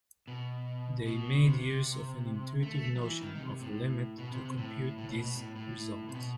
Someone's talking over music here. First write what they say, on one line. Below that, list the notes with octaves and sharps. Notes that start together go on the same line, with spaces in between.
They made use of an intuitive notion of a limit to compute these results.
B2
B2
C3
A3
A3
F#3
E3
D#3
D#3
C3
A2
B2
C3
C3
A2
A2
B2
B2
A2
A2
C3
B2